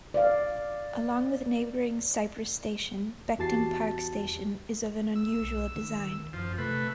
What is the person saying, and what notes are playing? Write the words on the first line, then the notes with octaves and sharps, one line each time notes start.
Along with neighbouring Cyprus station, Beckton Park station is of an unusual design.
D5 F5
E2 F#4 G4 A5 A6 C7
E6
B1
D#3
F#2 F3
C3 A3 B4